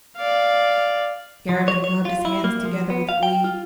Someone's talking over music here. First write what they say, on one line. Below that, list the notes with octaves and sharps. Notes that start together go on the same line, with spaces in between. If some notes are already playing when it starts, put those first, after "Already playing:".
Garabin rubbed his hands together with glee.
D5 F5
F3
C#5
C#5
F4
E4
A#3
F3
B3
F5
G5
F4